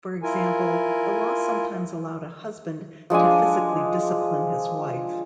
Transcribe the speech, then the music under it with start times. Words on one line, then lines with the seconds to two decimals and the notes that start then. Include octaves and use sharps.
For example, the law sometimes allowed a husband to physically discipline his wife.
0.23 E4 F4 A#4 G#5
3.10 F3 G#3 D4 G#5